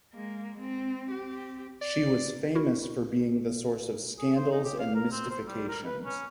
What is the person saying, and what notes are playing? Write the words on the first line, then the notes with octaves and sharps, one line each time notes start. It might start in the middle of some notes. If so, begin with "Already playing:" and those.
She was famous for being the source of scandals and mystifications.
G#3 A#3
C4
C4 G4
D5
E4 F#4 A#4
G#4
C5
D#4
G4
F5
A#4
C4
C5
G3
A#4
B4
C#4